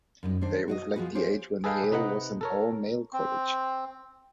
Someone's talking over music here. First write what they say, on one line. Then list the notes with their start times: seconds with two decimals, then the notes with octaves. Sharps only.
They reflect the age when Yale was an all-male college.
0.23 F#2 G3 D#4
0.41 D#3 D4 C5
0.68 F#4 D5 D#5
0.96 F3 F4 F#4 G#4 B4
1.15 F4 G4 G#4 C5 C#5
1.64 G#4 A4 B4 D#5 F5 G5
1.92 C3 D#4 B4 D#5 F#5
2.41 A4 A#4 C#5
3.13 C4